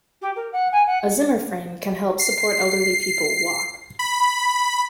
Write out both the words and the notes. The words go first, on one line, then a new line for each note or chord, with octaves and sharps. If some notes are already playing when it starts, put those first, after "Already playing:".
A zimmer-frame can help support elderly people walk.
G4
A#4
F#5
G#5
F#5
C7
B5